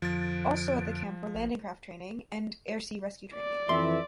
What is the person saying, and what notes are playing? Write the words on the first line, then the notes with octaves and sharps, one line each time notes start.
Also at the camp were landing craft training and air sea rescue training.
F2 D3 F3 A6
A1
D5
F2 E3 E5 C6